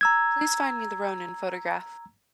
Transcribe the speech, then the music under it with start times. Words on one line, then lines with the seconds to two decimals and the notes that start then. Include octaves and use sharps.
Please find me the Rounin photograph.
0.01 A#5 E6 G#6